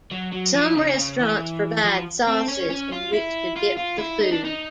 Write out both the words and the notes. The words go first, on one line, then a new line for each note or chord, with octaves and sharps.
Some restaurants provide sauces in which to dip the food.
F#3
F#3
F3
C#3
C#3
E3
F3
C4
C#4
C#4
F4
E4
F4
F4
E4
D#4
D4
D#4